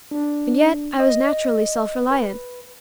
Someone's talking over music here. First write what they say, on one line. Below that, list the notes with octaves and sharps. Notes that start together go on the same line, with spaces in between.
And yet I was naturally self-reliant.
D4
D#5
B4